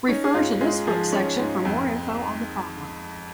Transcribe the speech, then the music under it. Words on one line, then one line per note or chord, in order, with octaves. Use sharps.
Refer to this book section for more info on the problem.
C#4 D#4
G#4
G#2 F4
G#3 F4
F3 G#4
C#4
G#2
F2